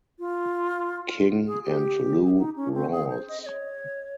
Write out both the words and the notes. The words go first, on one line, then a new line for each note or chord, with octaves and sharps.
King, and Lou Rawls.
F4
G#4
G4
D#4
C#4
C4
G#4
C5
D#5
D#5
C#5